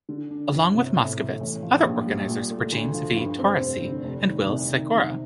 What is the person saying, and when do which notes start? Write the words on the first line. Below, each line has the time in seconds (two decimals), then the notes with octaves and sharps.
Along with Moskowitz, other organizers were James V. Taurasi and Will Sykora.
0.09 D3
0.31 D4
0.52 G1
0.74 C3
0.97 A2
1.19 A3
1.41 A1
1.63 F3
1.84 A#1
2.06 G3
2.29 A#2
2.50 A3
2.72 D2
2.94 F3
3.17 G2
3.39 C4
3.60 F1
3.83 D3
4.04 F1
4.27 D#3
4.49 C2
4.71 D#3
4.93 C3